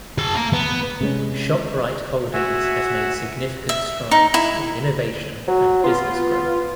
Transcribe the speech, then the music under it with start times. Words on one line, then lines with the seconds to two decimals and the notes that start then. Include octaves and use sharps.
Shoprite Holdings has made significant strides in innovation and business growth.
0.18 G#4 A5
0.35 F5 A#5
0.54 B3
1.01 C3 G#3 C#4
2.33 F#4 E5 F#5 G#5
3.69 E5
4.11 D#4
4.34 E4
5.48 F#3
5.84 B3 F4